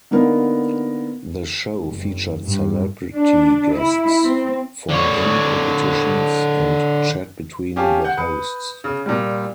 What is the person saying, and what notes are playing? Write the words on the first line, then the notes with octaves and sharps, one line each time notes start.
The show featured celebrity guests, phone-in competitions and chat between the hosts.
D3 A#3 B3 D#4 A#4
F#1
G2
D4
E4
C4
D3 C#5
C#4 G4 F5 G#5 A5
F#5 G6
B4 D#6 C#7
C#3
A#2 G3